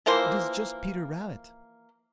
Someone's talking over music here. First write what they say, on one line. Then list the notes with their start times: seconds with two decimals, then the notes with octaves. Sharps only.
It is just Peter Rabbit.
0.06 E3 F3 A#3 C5